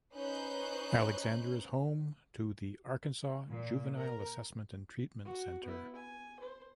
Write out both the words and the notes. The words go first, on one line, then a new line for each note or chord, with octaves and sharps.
Alexander is home to the Arkansas Juvenile Assessment and Treatment Center.
C#4 D#4 B4 C5 F#6 G6
A#2
A#4
F#4
B3 E4
G#5
C5